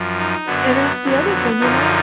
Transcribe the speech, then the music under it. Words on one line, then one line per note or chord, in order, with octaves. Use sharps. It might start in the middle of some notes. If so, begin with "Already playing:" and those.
And that's the other thing, you know?
Already playing: F#2 F3
D#4
F#2 D3 F#3 B3
F2 D3 F#3
F#2 D3 F3 D#4